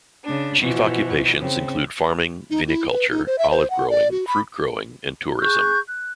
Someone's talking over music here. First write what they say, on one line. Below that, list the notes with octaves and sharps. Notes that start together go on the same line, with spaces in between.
Chief occupations include farming, viniculture, olive growing, fruit growing and tourism.
C#3 D4
B2 E3 F3 F#4
C#3 C4
D#4
E4
B4
D#4
C5
E5
C5
F#5
D5
F#4
B5
G#4 C#6 F#6 G6
F#6